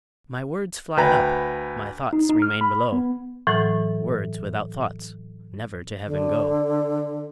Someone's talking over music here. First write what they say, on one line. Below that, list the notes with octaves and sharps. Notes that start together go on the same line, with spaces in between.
My words fly up, my thoughts remain below: Words without thoughts never to heaven go.
D2 B4 G5 A#5
D#4
D#4
F6
B5
B3
A2 E3 F#3
D3